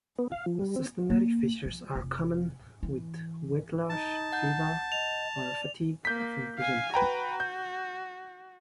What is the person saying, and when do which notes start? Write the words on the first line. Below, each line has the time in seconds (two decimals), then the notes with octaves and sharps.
Systemic features are common, with weight loss, fever, or fatigue often present.
0.19 B3
0.32 F5
0.46 F3
0.59 G3
0.76 C4
1.10 A#3
1.66 F3
1.95 F1
2.83 E3
3.90 D#4 A5
4.32 F#5 G6
4.92 D#5 F7
5.35 D5
6.05 A#3 G6 B6
6.58 F5 G#5
6.94 F#4 B4 G5 A#5
7.40 G6